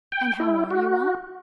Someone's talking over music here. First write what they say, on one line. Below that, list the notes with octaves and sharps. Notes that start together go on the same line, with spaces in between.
'And how are you all?
G5
E4
F#4